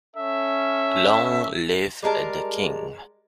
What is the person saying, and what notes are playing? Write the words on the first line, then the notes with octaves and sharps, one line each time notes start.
Long live the king.
C#4 A4 E5
G3 G#3 A#4 A5